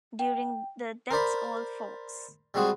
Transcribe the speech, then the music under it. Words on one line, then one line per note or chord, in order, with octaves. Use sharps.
During the That's all, Folks!
G5
A#4 C5 D5 B5
G3 G#3 C4 F#4 G#4